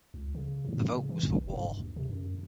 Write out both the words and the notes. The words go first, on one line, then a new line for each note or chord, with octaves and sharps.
The vote was for war.
C#2
C#3
A2
C#3
E3
B1
E1
G2
D#2
C3
F#2